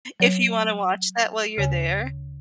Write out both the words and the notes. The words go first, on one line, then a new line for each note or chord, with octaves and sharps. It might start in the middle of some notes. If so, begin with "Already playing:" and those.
if you wanna watch that while you're there.
F#3 C#5
D2 C#3 C#5 G#5